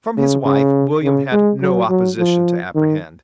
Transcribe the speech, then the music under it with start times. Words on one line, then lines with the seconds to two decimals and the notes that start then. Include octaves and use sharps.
From his wife William had no opposition to apprehend.
0.17 C#3
0.45 C#3
1.03 C#3
1.32 G#3
1.61 F#3
1.90 F#3
2.18 F3
2.75 D#3